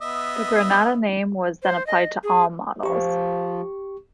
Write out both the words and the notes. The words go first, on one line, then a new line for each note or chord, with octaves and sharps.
The Granada name was then applied to all models.
B3 D#5 E5
C5
D#5
G#4
F3 G4 C#6